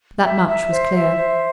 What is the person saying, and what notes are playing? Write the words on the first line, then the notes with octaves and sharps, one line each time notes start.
That much was clear.
E5
E5
C5
E5
C5